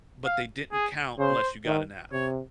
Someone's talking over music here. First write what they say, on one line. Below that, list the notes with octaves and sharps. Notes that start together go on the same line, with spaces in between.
but they didn't count unless you got an F.
F5
G#4
C#3 C5
D#3
C3 C#5